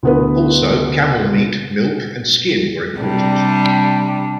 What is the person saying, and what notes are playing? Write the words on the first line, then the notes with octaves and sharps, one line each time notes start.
Also camel meat, milk, and skin were important.
D2 B3 B4
C3 G3 D4